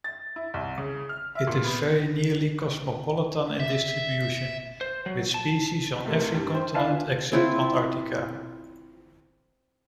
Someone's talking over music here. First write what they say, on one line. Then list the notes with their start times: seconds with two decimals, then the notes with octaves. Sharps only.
It is very nearly cosmopolitan in distribution, with species on every continent except Antarctica.
0.04 A6
0.36 E4
0.54 C2
0.78 C#3
1.09 F6
1.35 E5
1.47 A#2
1.65 B3
3.60 E5
4.81 C5
5.06 F#3
5.34 A5
6.05 C3 A3 A#3
6.34 G2
6.54 C5
6.74 D4 E4 B4 F5 G#5 A5
6.91 F4
7.32 C4 E4 F4